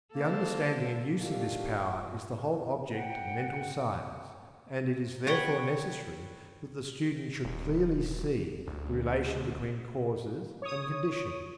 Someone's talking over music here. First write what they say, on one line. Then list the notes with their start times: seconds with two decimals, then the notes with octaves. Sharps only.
The understanding and use of this power is the whole object of Mental Science, and it is therefore necessary that the student should clearly see the relation between causes and conditions.
0.14 A#3 A4 C5
1.20 D#2 A3 D4 F4 G4
2.93 F#5 G5
5.27 B4 C#5 F#5 G5
7.45 D#1
8.67 D2
10.62 C#5 D#6